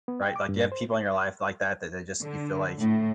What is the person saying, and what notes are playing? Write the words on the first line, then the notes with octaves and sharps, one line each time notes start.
right? Like, do you have people in your life like that, that they just you feel like
B3
G5
D6
G2
C5
D3
A2